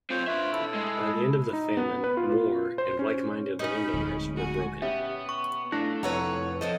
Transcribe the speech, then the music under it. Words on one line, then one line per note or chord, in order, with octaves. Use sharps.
By the end of the famine Moore, and like-minded landowners, were broken.
C4 F4 C5 C#5
D4 F4 B4 C#5 E5
E4 A4
G#3
D#4
B3
B4
F4
C5
C#4
C#4 D#4 D#5 B5
D1 G#3
F#4 G#5
B3 C#4 G4 B4 E5
C#6
A3 D4 E4 F5
F2 C3 A4 B4 C#5 F#5 A#5
F2 F3 A4 C5 D#5